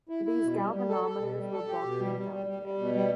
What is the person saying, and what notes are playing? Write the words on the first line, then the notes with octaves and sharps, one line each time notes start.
These galvanometers were bulky and delicate.
E4
E4
B2
G3
G3
A4
A4
B2
G3
A4
G4
B2
G3
G3
G3
G3
G3
B2
G3